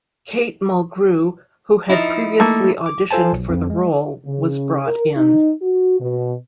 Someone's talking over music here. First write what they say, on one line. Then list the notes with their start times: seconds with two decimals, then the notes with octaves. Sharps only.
Kate Mulgrew, who had previously auditioned for the role, was brought in.
1.89 F3 D#4 E4
2.40 A3 A#3
2.86 D6
3.11 F4 A4 C5 G#5 A5
3.33 B1
3.49 F2
3.70 G#3
4.25 C#3
4.85 A#4
5.17 D#4
5.61 F#4
6.00 B2